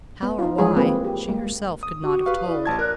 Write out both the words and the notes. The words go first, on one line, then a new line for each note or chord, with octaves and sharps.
How or why, she herself could not have told.
B3
D#4 F4
E3 F3 G3 G#3 G#4 C#5
A#3 C4 B4
G4
G#3 A#3
D#6
F#4 G4 C#6
B4 F5
E4 D5
A1 A5 G#6
A#4 D5 F#6